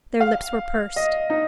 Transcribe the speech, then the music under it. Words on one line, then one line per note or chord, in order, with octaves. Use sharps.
Their lips were pursed.
F5
D#5
D#4